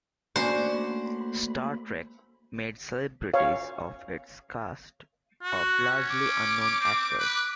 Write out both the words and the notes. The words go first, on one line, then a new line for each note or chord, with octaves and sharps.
"Star Trek" made celebrities of its cast of largely unknown actors.
A3 A#3 C#4 D4 F#4 C5 B5
C#5 F5
F#4
C#4
D6
C4
B4